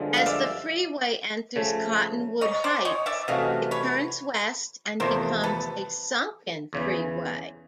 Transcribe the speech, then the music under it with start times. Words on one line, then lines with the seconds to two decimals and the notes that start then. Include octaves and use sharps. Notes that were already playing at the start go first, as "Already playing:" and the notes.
As the freeway enters Cottonwood Heights, it turns west and becomes a sunken freeway.
Already playing: G2 D3 F3 G#3
0.17 F5
0.26 D5 E5
1.56 C#3 F3 A3
2.41 C#5 D#5
2.64 C5 D5
2.85 C#5 D#5
3.06 D5 E5
3.28 C3 E3 A3 C#4 F#4 D#5 F5
3.71 B4 C#5
5.00 E2 C3 F3 A3 A#4 C5
5.43 A4 B4
6.73 E2 C#3 E3